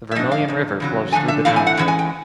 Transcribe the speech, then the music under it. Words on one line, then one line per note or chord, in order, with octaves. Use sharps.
The Vermilion River flows through the township.
E5
G#2 F3 D4 D#5
F5
F2 C3
E2 C#3 F#3
D3 F3 A3 D4 G#5
E5
A2 E3 A3 C4 F5
G#5
F#5
A2 E3 G#3 C#4 F#5
G#5
G5